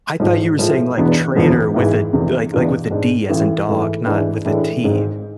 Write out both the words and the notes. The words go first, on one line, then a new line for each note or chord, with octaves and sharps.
I thought you were saying, like, trader with a, like like, with a D as in dog, not with a T.
G#1 G#2 F3
A2 F3 G#3
E1 E2 B2 B3 D4
E1 E2 D3 F3 B3
G#1 G#2 E3 G#3
F1 E2 C3
E2 B2 B3 D4 F4
G#2 G#3 D4
A1 A2 E3
G#2 E3 A3 E4
G#2 E3 G#3 D4
A2 E3 G#3 D4
G#1 G#2 G#3 C4